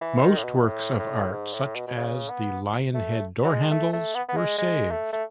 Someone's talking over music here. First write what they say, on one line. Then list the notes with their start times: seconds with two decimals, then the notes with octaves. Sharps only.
Most works of art, such as the lion-head door handles, were saved.
0.01 E3
0.23 D#3
0.38 A2
0.44 B2
0.66 A2
0.99 A2
1.31 G#2
1.53 A2
1.75 B2
1.87 B2
1.97 C#3
2.30 B3
2.95 A3
3.44 F#3
3.49 G#3
3.71 A3
3.93 A3
4.14 B3
4.29 B3
4.37 G#3
4.58 G#3
4.91 A3
5.13 A3